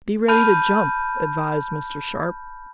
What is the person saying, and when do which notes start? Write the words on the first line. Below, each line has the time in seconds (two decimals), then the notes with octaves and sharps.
"Be ready to jump," advised Mr. Sharp.
0.28 A5 B5 F6 G6 D#7